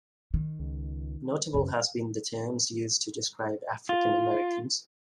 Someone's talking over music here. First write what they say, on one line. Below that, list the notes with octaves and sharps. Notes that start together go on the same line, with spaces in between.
Notable has been the terms used to describe African-Americans.
D#3
C#2
F#2 C#3 C#4
F4